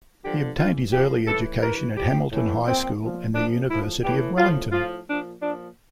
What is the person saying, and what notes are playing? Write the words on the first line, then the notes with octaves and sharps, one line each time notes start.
He obtained his early education at Hamilton High School and the University of Wellington.
G2 D3 F3 G4
G2 E3 F4
G2 F3 G4
A2 E3 A4
G2 E3 A#4
A2 F3 G4
A2 E3
A#2 F3 C4
A#2 F3
A#2 F3 D4
A2 F3 E4
A2 E3 G4
A2 F3 F4
A2 F3 F4
A#2 F3 D4
A#2 F3 D4